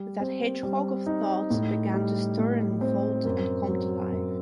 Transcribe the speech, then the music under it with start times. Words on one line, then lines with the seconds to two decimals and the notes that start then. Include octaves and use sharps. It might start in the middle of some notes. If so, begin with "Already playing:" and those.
That hedgehog of thoughts began to stir and unfold and come to life.
Already playing: G3
0.20 C4
0.63 G3
1.06 D#4
1.50 A2
1.94 G3
2.38 A2
2.81 C4
3.25 F#2
3.68 F#3
4.12 F#2